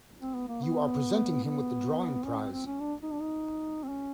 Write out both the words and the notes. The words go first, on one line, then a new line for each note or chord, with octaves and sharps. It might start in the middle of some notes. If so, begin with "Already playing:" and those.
You are presenting him with the drawing prize.
C4
B3
A#3
B3
B3
C#4
C4
C4
C#4
D4
D#4
D4
D#4
C4
C#4